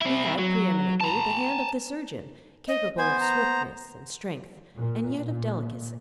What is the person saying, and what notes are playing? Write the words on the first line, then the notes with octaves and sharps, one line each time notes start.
He had, pre-eminently, the hand of the surgeon, capable of swiftness and strength, and yet of delicacy.
C4 E4
F#3
A5 A#5
D#5
B3 C5 G#5
A#5
A#2
A#2